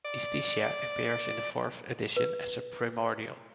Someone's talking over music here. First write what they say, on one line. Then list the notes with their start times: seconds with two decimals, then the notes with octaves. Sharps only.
Istishia appears in the fourth edition as a primordial.
0.05 D5
2.17 B4